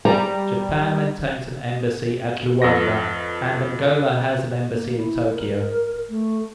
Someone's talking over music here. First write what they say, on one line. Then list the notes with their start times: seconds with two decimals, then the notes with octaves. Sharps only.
Japan maintains an embassy at Luanda and Angola has an embassy in Tokyo.
0.05 G3 A#5
2.62 F2 A4 B4 A#6
4.70 A#3
4.97 E4
5.34 A#4
6.09 A3